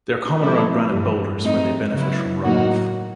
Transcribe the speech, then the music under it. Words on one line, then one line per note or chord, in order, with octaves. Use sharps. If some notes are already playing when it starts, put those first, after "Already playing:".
They are common around granite boulders where they benefit from runoff.
F3 G#3 C4 E4 A4
G2 E3 G3
A2 F3 A3 C4 D#4
C#3 F#3 B3 E4
A2 F#3 A#3 D#4 F#4